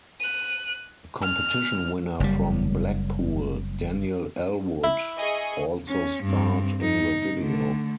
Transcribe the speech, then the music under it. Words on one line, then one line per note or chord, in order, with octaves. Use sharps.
A competition winner from Blackpool, Daniel Ellwood, also starred in the video.
F#6 D#7
F6
F#1 G3
E4
G#4 D#5 C#6
C#4
G2 C4
D#4
D3 A3